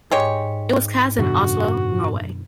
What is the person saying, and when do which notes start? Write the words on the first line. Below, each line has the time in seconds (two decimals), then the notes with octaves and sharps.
It was cast in Oslo, Norway.
0.11 G#2 G#3 G4 C#5
1.18 F#2 B2 D3 F#4